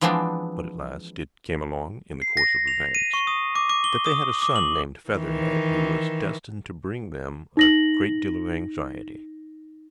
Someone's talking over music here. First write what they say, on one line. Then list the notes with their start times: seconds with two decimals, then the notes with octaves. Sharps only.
But at last it came along, in the course of events, that they had a son named Featherhead, who was destined to bring them a great deal of anxiety.
0.01 E3 F3 G#3 B3 C4 D4
2.22 C7
2.37 A#6
2.68 F7
2.95 D#7
3.14 C#6
3.27 D#6
3.56 D6
3.69 D6
3.84 G7
4.06 D#6
4.42 D6
4.56 F#7
5.10 D#3 E3
7.57 D#4 A#6 F#7